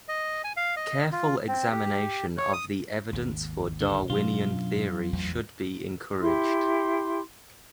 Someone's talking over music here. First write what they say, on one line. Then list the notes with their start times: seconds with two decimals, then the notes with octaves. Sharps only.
Careful examination of the evidence for Darwinian theory should be encouraged.
0.08 D#5
0.44 G#5
0.57 F5
0.77 D#5
1.12 F4
1.48 C4
1.72 G4
2.38 C#5
2.53 D#6
3.13 G#1 D#2
3.81 D3
4.10 F#2 B2 D4 F4
5.13 A1 E2
6.21 E4 G4 C6